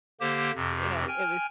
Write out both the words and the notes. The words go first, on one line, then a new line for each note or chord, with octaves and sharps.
you know, it was
D3 A#3 G4 C5
F2 C3
G5 G#5 F6